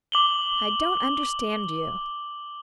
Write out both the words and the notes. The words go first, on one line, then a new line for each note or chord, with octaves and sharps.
"I don't understand you."
D6 F#7 G7